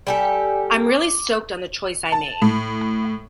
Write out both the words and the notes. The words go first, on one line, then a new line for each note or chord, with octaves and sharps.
I'm really stoked on the choice I made.
G3 G4 A4 D5 G#5
D6
A5
A2